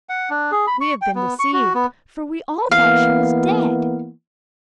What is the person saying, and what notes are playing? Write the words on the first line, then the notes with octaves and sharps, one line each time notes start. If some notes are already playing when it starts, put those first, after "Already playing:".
We have been deceived, for we all thought she was dead.'
F#5
D4
G#4
B5
C#6
G5
B3
C#6
F#4
B3
E3 A#3 B3 F5